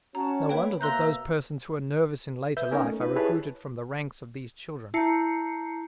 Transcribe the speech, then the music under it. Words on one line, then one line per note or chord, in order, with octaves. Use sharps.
No wonder that those persons who are nervous in later life are recruited from the ranks of these children.
C#4 F#4 C#5 A5 A#5
A#3 B4 C#5 G5 B5
B2 A#3 E5 A#5 C6 E6 F#6 G6
B4 E5 G6
B3 C#4 D#4 A#4 B4 G#5
A3
D#4 F4 B4
E4 G4 G#4 B4 C#5 A5
E4 A5 A#5 G6 C7 C#7